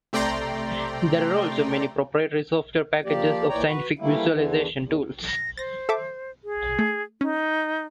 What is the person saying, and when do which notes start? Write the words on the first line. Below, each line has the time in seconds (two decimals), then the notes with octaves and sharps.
There are also many proprietary software packages of scientific visualization tools.
0.13 C3 A3 D5 G5 A#5 C6
3.05 F3 A#3 G4 D5
3.49 A#2 E3 C#5 D5 G5 A#5
3.66 F#4 B4
3.99 E3 G3 A3 A#3 E4
4.31 E2 D3 E3
4.81 E2
5.26 A#6
5.58 C5 A6 A#6
5.89 A4 E5 D6
6.44 G#4
6.79 A3
7.21 C#4 D#4